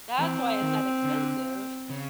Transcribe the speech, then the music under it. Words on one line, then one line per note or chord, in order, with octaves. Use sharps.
that's why it's that expensive."
E3 C4
D#3
D3
C#3